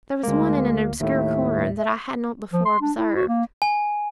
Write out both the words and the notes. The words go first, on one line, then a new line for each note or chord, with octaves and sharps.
There was one in an obscure corner that I had not before observed.
D2 G#3 A#3
D#2 A2 E5
E5
F3
C6
D4
E4
F#4
A#3
G#5